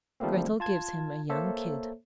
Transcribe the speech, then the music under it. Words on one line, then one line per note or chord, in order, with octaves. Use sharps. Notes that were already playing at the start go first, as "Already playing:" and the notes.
Grettel gives him a young kid.
D#3 F3 G3 A3 A#3 C4
F4 A5 G#6
A#3 A4 C5 C#5 E5